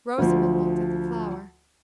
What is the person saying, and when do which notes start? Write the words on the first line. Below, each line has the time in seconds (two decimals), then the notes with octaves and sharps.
Rosamond looked at the flower.
0.18 D2 F3